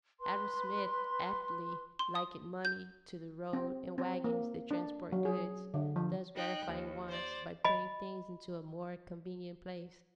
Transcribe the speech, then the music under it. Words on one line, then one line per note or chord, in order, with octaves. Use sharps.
Adam Smith aptly likened money to the road and wagons that transport goods, thus gratifying wants by putting things into a more convenient place.
B4 C6
C6
D#6
G6
C4
C4
A#3
D4
F#3
G#4
D3
F3
D#4 G5 F#6
D#2
C5 D5
D#5 B5